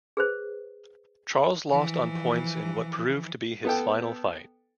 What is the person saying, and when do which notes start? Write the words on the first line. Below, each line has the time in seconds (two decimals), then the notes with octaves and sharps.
Charles lost on points in what proved to be his final fight.
0.17 G#4 B4 C5
1.72 E3 F3
3.65 B3 A4 G5